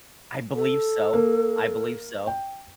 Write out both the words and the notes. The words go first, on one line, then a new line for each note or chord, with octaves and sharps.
I believe so. I believe so.
A4
A#3
G5